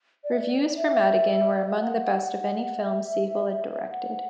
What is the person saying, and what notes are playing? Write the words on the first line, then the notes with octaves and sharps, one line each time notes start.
Reviews for "Madigan" were among the best of any film Siegel had directed.
D5
E5
D5
D5
E5
D5
E5
F#5
E5
F#5